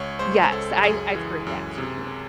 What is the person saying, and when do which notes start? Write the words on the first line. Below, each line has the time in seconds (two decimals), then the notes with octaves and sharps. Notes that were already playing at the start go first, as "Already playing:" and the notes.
Yes, I I've heard that too.
Already playing: C#2 C#5
0.19 G#3 C5
0.52 C#2 A4
0.83 F#2 G#4
1.14 E3
1.47 F#2
1.78 C3